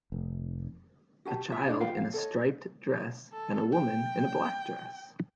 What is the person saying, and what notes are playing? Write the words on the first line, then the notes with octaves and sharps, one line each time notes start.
A child in a striped dress and a woman in a black dress.
F1
F#4 G4 G#5 A5
F4 E5
D4 G#4 C#5 D5
F4 B4 F5 G5
F5
A4 C#5 D#5
A4
G5